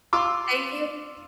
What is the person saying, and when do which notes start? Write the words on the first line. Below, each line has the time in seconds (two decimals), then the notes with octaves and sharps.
thank you
0.13 F4 C6 D6 E6